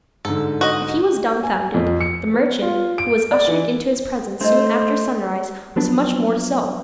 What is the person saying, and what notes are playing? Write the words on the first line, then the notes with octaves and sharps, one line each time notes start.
If he was dumbfounded, the merchant, who was ushered into his presence soon after sunrise, was much more so.
G#2 D3 A4
F#4 D#5
G#5
F2
C#7
B3
F4
D7
D5
E3
A3 D4 E4 C5 D#5
F3 F#3 B3 D4